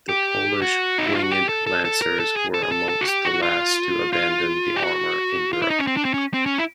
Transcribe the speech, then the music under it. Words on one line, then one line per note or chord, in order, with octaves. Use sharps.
The Polish "winged" lancers were amongst the last to abandon the armour in Europe.
G4
F#4
D#4
E4
F4
F#4
G4
A4
A4
A4
A#4
A4
G#4
A4
G#4
A4
A4
F#4
G4
F#4
F4
F4
G4
F#4
F4
E4
D#4
C#4
C4
D4
C4
C#4
C4
C#4
E4